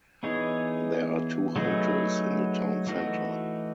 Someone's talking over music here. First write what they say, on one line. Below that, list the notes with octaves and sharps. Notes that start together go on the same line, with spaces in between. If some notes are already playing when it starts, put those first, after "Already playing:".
There are two hotels in the town center.
E3 B3 D#4 G#4 C#5
F#3 A3 D#4 G#4 B4
E3 A3 D#4 F#4